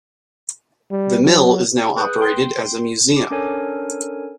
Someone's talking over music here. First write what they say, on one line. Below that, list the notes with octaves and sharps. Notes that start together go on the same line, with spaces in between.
The mill is now operated as a museum.
G3
F#3
G#4 B4 D#6 F#6 G6
G5 C6
D6
C#4 D4 A4 A#4 C#5 G#5